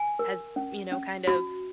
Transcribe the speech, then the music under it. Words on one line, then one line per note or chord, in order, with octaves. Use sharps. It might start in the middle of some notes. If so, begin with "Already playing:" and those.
has, you know, kind of
Already playing: G#5
A#4
C#4
C#4
F#4